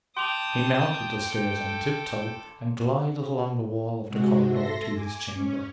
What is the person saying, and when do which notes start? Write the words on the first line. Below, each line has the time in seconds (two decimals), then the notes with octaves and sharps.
He mounted the stairs on tip-toe and glided along the wall of the corridor to his chamber.
0.17 G5 A5 C6 D6 D#6 F7
1.25 A4
4.08 C3 G#3 F#4
4.49 A4 E5 C6 A#6
4.93 G#5 D6
5.33 C#4